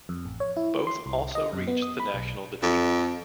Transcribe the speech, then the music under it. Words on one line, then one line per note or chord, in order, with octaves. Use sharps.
Both also reached the national divisions.
F2
A1
C#5
E4
C6
C2
D#5
F#2
B3
D#6
B5
B1
F2